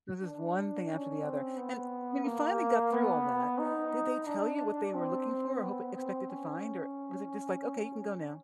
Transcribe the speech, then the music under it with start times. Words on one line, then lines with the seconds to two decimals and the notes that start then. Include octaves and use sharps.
This is one thing after the other, and when you finally got through all that, did they tell you what they were looking for? Or hope expected to find? Or was it just like, "Okay, you can go now?"
0.22 D4
0.90 C#4
1.23 C4
1.57 B3
2.24 A#3
2.92 B3
3.59 D#4
4.27 D4
4.94 C4
5.61 B3
5.95 C4
6.29 C#4